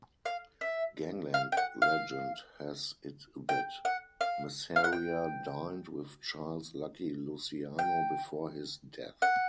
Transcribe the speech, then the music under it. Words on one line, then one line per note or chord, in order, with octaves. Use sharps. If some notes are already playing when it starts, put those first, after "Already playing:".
Gangland legend has it that Masseria dined with Charles "Lucky" Luciano before his death.
F5
E5
F5
G5
F#5
F5
G5
F#5
F5
F5
F#5
G5
G5
F#5